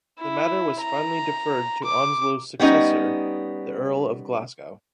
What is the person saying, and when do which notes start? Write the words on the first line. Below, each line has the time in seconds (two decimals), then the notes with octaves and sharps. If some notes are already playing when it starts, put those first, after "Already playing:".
The matter was finally deferred to Onslow's successor, the Earl of Glasgow.
0.19 E4
0.81 A#5
1.84 D6
2.60 G3 B3 C#4 D#4 D#5